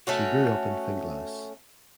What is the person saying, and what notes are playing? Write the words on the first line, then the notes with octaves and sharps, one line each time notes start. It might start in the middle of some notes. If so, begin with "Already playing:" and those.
She grew up in Finglas.
A3 C#4 F#4